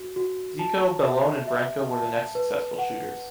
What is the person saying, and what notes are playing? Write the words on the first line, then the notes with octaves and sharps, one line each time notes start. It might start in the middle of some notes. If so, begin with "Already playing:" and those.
Zico, Bellone and Branco were the next successful shooters.
Already playing: F#4
F#4
A5
E5
E5
A5
B4
F#5